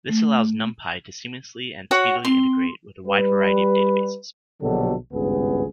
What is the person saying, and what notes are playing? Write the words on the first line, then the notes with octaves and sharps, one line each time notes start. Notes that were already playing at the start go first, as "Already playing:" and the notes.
This allows NumPy to seamlessly and speedily integrate with a wide variety of databases.
A3
F#4 C#5 F#5
C4 C6
G3 B4
A#1 B2 D3 F#3 G4 A4
G#1 C#2 G2 C#3 B3 G#4